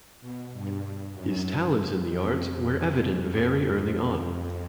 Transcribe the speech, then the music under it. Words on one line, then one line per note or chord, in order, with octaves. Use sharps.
His talents in the arts were evident very early on.
B2
G2
F#2
F2